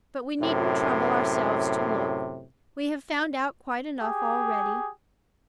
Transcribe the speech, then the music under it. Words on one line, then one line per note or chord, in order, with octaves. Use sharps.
But we needn't trouble ourselves to look; we have found out quite enough already.
F#2 A2 C3
G4 G#4